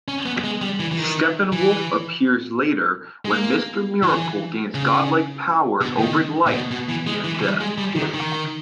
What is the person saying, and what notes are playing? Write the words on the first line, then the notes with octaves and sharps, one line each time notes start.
Steppenwolf appears later when Mister Miracle gains godlike powers over life and death.
C#4
B3
G#3
G3
E3
E3
D#3
E3
G#3
A#3
E3
C#3
B2
D#3
A#2
B2
B2
E3
G#3
E3
G3
G#3
G3
D#3
D#3